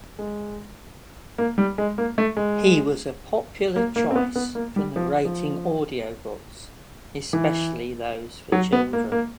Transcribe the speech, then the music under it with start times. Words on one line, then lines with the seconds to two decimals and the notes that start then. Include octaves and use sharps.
He was a popular choice for narrating audio books, especially those for children.
0.19 G#3
1.38 A#3
1.58 G3
1.78 G#3
1.98 A#3
2.18 A3
2.37 G#3
3.76 A#3
3.96 A#3
4.11 C4
4.16 B3
4.36 B3
4.55 A#3
4.76 G3
4.96 F3
5.25 F3
7.33 E3
8.52 F#3
8.73 B3
8.93 A#3
9.12 A#3